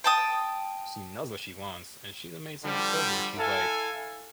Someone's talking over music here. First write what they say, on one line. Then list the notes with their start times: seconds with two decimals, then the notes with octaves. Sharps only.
She knows what she wants, and she's amazing with children; she's like,
0.04 G5 A5 D#6
2.64 D3 F3 G3
3.37 E4 A4 F5 G#5